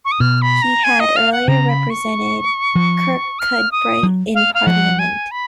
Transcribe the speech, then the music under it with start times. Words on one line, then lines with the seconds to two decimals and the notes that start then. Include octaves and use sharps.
He had earlier represented Kirkcudbright in Parliament.
0.05 C#6
0.12 D#6
0.20 B2 F6
0.42 B5
0.62 A#5
0.84 G#5
1.00 D#5
1.16 F5
1.32 F#5
1.48 C#3 A#5
1.69 B5
1.90 C#6
2.75 F3
3.39 F6
3.72 D#6
4.03 F#3
4.35 F5
4.54 F5
4.67 F3 F#5
4.99 G#5
5.31 B5